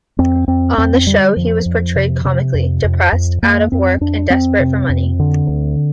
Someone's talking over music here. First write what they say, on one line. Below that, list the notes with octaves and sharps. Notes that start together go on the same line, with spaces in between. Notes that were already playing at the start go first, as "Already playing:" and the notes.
On the show he was portrayed comically; depressed, out-of-work, and desperate for money.
F2 C4
F2 C4
F2 C4
D3 G3
F2 F3
F2
C3
C3
F2
F2
F2
F2 A#3
F2 C4
F2 D4
F2 C4
C3
F2
D3
D2